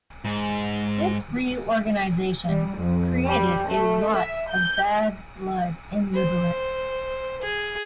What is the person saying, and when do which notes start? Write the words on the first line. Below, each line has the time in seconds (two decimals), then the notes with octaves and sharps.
This reorganization created a lot of bad blood in Liberec.
0.25 G#2
2.47 G3
2.77 F2
3.27 G3
3.69 A3
4.16 E5
4.50 G6
6.14 C5
7.42 G#4